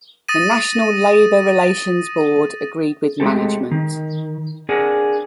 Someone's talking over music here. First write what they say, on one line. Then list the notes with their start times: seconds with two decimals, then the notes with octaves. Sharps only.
The National Labor Relations Board agreed with management.
0.28 D#6 A6 A#6 D#7
3.20 G#3 A3 C4 G4 A4
3.71 D#3
4.69 C4 D4 G#4 A#4 F#5